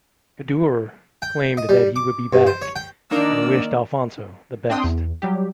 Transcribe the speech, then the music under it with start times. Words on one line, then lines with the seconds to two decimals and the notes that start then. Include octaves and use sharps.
Kaddour claimed that he would be back and wished Alfonso the best.
1.22 G5
1.57 D#5
1.69 G3
1.96 D6
2.33 G2
2.47 C5
2.62 C#5
2.76 G5
3.11 D#3 A#3 D4 D#4 A#4 D5 E6
4.70 C4 D4 G5 C6 D#6
4.84 E2
5.22 F#3 G3 G4